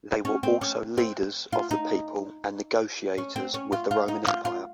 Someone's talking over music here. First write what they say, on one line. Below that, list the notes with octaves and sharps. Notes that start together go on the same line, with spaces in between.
They were also leaders of the people and negotiators with the Roman Empire.
C#4
C4
C#4
C4
F4
D#4
C#4
C4
C#4
F4
F4
D#4
F4
F4